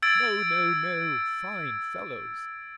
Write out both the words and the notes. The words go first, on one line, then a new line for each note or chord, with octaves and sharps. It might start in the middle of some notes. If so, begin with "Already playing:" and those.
No, no, no! Fine fellows!
E6 G#6 A6 D7